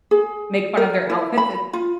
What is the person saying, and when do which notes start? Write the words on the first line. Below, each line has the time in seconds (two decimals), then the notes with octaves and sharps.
make fun of their outfits, it's
0.11 G#4
0.77 A#4
1.10 E4
1.38 B5
1.73 F4